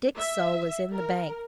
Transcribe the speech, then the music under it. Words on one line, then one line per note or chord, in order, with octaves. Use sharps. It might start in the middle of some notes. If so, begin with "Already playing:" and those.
Dick's soul is in the bank.
E5
A#4